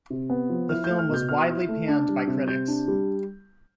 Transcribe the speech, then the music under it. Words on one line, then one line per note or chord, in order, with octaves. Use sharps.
The film was widely panned by critics.
C3
B3
F3
E4 F6
G6
A3
F6
B2 G6
B2 F6
E4
A3
D4
G3
C3
C3 G6
D4
G3